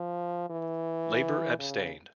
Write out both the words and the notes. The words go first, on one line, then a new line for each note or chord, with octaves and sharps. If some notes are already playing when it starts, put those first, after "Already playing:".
Labour abstained.
Already playing: F3
E3
C#3